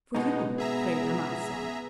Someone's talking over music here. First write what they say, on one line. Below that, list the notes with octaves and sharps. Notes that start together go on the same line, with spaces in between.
"For you, Fray Damaso."
G#2 B2 G#3 B3 D#4
B3 G#4 E5 A#5